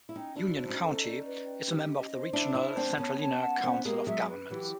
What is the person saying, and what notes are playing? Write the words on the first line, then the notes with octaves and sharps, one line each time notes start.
Union County is a member of the regional Centralina Council of Governments.
E4
C#4 D#4 G5
D4 E4 F#4
C5
C#4 D#4
A4
D5
B4
G5
G4
D#5
C5
D4 E4 E5
D4 E4 C5
C4 D4 A5
B3 C#4 C#5
A5
F#5
B3 C#4 C5
G#3 A#3 G4
F#3 G#3 E5
B4
E3 F#3 G4